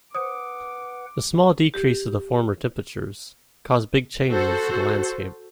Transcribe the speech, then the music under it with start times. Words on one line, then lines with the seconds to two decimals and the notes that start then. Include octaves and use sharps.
The small decrease to the former temperatures caused big changes to the landscape.
0.15 B4 C5 F#5 D6 D#6 C#7
1.74 G4
4.29 F#4 A4 C5